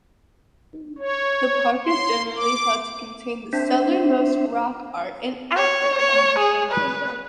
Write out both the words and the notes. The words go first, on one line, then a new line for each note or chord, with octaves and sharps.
The park is generally held to contain the southernmost rock art in Africa.
C#5
C6
D6
C4 D4 C5 E5
C#5
C#5
G#4
B4